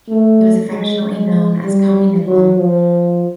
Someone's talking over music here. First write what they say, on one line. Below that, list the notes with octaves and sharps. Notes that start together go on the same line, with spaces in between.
He was affectionately known as Tommy Nicol.
A3
G#3
G#3
G3
F#3
F3